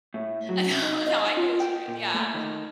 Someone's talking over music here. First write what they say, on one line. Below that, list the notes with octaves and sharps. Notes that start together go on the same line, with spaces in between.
Uh, no, no, I knew what you meant Yeah,
A2
F#3
C3
D#4
D#5
F4
G5
A#2
A3
D#3